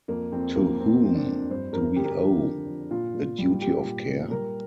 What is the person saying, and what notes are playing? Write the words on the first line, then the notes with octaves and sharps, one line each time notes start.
To whom do we owe a duty of care?
F2 A#3
F2 C4
F3 A#3
F3 C4
F2 C4
D4
F2
G2 C5
G2 A#4
D3 G4
A#4
G4
F3 D4
D3
F3
A#2 F4
A#2
G3
A#2 G4
A#2
A#2
G3 A#4